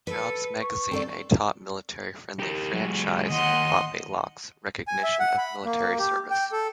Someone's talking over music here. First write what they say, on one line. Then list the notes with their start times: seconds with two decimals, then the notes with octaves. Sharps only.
Jobs Magazine a top military friendly franchise for Pop-A-Lock's recognition of military service.
0.07 A4 B4
0.60 C#6
0.91 C4 A4 D5
2.40 G4 A#4
2.73 F#3 G#3
3.30 D#2 D#5 F#5 C6
4.88 G#5
5.03 E5
5.20 F#5
5.38 B5
5.65 A#3
5.98 G4
6.31 G5
6.52 A4